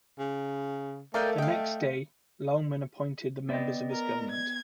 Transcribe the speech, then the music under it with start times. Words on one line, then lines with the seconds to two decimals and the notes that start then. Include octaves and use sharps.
The next day Loughman appointed the members of his government.
0.19 C#3
1.14 A3 A4 A#4 D5 D#5 F5 G5
1.38 D#5 F5 G5
3.49 B3 B4 D5 D#5 G5
3.91 A#4
4.31 G#6